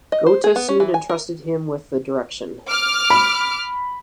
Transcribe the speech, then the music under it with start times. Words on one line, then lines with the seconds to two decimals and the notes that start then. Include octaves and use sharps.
Goethe soon entrusted him with the direction.
0.12 D#5
0.26 C5
0.44 G#4
0.56 B3
0.69 C#4
0.80 E3
0.94 G#5
1.09 A#4
2.69 D6 F6
3.10 B5